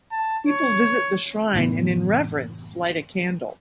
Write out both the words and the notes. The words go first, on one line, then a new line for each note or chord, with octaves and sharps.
People visit the shrine and in reverence light a candle.
A5
C#5
F#1 A2 E3 B3